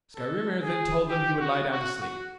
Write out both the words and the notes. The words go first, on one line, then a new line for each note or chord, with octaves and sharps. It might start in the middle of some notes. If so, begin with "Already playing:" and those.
Skrymir then told them he would lie down to sleep.
A4
G#4
G4
F#4
F#4
F#4